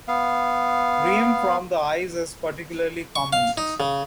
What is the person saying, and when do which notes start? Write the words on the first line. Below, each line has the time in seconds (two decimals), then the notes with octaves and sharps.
Rheum from the eyes is particularly common.
0.08 B3 F5
3.16 C#6
3.33 F5
3.57 D#4
3.80 C#3